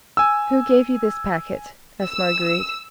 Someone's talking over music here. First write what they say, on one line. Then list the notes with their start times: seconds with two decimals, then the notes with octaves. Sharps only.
"Who gave you this packet?" asked Marguerite.
0.17 G#5 E6
2.04 E6